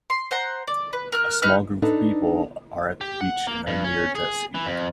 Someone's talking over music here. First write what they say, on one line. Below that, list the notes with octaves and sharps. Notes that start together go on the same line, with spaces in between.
A small group of people are at the beach and are near a jet ski.
C6
C5 F#5 A#5
D5
B4
A#4 F6 F#6
D#4 B4 F6
D4 D#4 A4 B4 D5 D#5
G4
F#5
A#3
G2
C#4
G#4
E3
F2